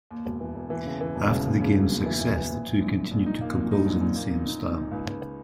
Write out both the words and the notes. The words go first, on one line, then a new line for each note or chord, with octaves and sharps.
After the game's success, the two continued to compose in the same style.
D#2
E1
E3
E1
E3
C#3
E3
E1
C#3
D#2
C#3
E1
D#2
E3
E3
E3
A#1
A#1
A#1
A#1
A#1
D#4
A#3
A#2
D#4
A#1
A#1
A#3
A#2
D#4
D#4
D#4
C#2
C#2